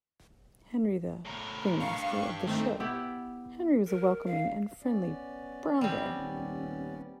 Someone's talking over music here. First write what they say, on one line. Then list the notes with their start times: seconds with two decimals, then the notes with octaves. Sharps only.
Henry-The "ringmaster" of the show, Henry was a welcoming and friendly brown bear.
1.26 A2 A#4
1.80 F5 C#6
1.93 G2
2.45 D#3 A3 C4
2.80 B3 E4 G4
3.87 A#4
4.26 F5
4.83 B3 C#4 D5
5.81 G3 C4
6.14 D#1